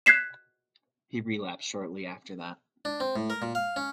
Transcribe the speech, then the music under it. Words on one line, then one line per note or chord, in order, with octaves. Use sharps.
He relapsed shortly after that.
F#6 G#6 B6 C7 E7
D4
C4
A2
A#4
A#2
F5
C#4